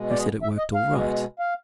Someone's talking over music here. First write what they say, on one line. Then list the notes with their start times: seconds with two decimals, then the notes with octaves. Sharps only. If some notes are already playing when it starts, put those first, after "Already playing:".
He said it worked all right.
Already playing: B2 G#3
0.10 D5
0.18 D#5
0.43 E5
0.58 D#5
0.74 F5
0.90 B2 G#3
1.39 F5